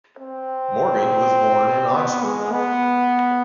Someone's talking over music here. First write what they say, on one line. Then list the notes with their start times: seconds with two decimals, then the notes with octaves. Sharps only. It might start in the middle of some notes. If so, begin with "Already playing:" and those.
Morgan was born in Oxford.
0.20 C4
1.94 B3
2.23 G#3
2.52 B3